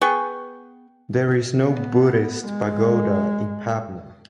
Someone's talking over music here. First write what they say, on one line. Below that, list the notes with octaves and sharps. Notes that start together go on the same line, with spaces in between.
There is no Buddhist pagoda in Pabna.
B3 G#4 G5 C#6
B3
G#3